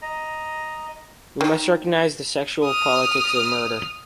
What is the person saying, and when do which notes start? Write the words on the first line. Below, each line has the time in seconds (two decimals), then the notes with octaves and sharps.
We must recognize the sexual politics of murder.
0.02 D#5 A#5
1.41 D#3
2.65 D#6 F6